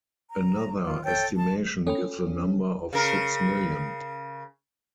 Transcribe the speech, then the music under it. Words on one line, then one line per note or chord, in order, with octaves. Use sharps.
Another estimation gives a number of six million.
A#5
F4
A4 C#5 G5 G6
A5
C#4 A4 G5 B5
C#3 A#4